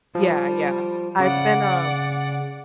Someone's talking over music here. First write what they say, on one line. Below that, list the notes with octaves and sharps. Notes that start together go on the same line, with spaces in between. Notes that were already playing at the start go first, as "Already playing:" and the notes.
Yeah, yeah, I've been, um
F3 G3
C#3 D5 F#5